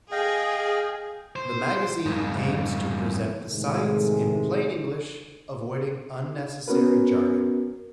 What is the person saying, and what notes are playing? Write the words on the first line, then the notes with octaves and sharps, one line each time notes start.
The magazine aims to present the science in plain English, avoiding unnecessary jargon.
G#4 D#5 F5 G5
C5
F2 G#2
A2 C3 D#3 G#3
B3 C#4 F#4 A#4 B4